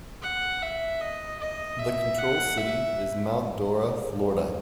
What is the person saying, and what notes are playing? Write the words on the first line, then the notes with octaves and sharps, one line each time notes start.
The control city is Mount Dora, Florida.
F#5
E5
D#5
D#5
E5
F#5
E5